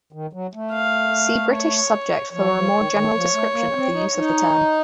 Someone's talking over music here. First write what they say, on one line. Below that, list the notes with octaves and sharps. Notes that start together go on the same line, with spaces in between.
See British subject for a more general description of the use of the term.
D#3
F#3
A3
F5
C#5
F3 C#5
F3
D#3
D#3
F3
A3
A#3
C#4
C4
D#4
D#4